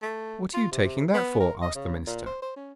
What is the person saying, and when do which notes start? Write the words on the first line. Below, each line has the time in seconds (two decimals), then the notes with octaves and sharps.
'What are you taking that for?' asked the minister.
0.02 A3
0.54 F4
0.72 C3
0.84 C3
1.14 B3
1.40 A#4
1.62 D#5
1.75 C#3
2.07 A#2
2.26 C5
2.42 C5
2.56 C#4